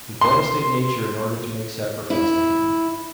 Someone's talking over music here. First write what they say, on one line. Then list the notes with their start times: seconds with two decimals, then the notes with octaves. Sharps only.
We devastate nature in order to make sacrifice to him.
0.21 C6
2.10 E4